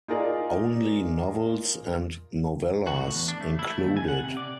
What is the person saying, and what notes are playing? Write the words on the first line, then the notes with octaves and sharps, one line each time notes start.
Only novels and novellas included.
D#4 F4 G#4 A#4 D5
F#4
A2
E2
D4
A3
E4
A3
D#2
G#5
F#5
C3
D5